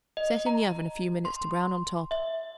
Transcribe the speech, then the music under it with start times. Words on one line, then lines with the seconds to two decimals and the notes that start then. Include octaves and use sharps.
Set in the oven a few minutes to brown on top.
0.17 D#5
0.46 A#5
1.25 C6
2.11 E5